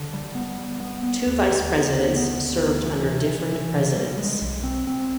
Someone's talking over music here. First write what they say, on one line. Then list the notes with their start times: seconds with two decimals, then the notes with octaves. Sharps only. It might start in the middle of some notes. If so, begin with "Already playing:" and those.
Two vice presidents served under different presidents.
Already playing: D3
0.13 G3
0.35 B3
0.58 G3
0.80 B3
1.03 B3
1.26 D#2
1.49 D2
1.70 B3
1.94 D2
2.17 B3
2.38 D2
2.61 D2
2.84 E3
3.06 C3
3.28 E3
3.52 E3
3.73 C3
3.96 G3
4.18 G#3
4.41 B1
4.64 C4
4.87 C4